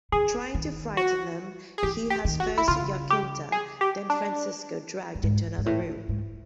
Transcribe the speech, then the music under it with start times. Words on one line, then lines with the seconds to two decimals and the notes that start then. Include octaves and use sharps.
Trying to frighten them, he has first Jacinta, then Francisco dragged into another room.
0.12 D3 G#4
0.54 D#3
0.97 F#4
1.78 G#4
1.83 E3 G4
2.10 G4
2.25 D#3
2.40 F#4
2.58 E4
2.68 C#3 F4
3.10 G4
3.52 G#4
3.81 G4
4.10 D4
5.15 G2
5.23 G#2
5.58 G#2
5.66 A2
6.09 G#2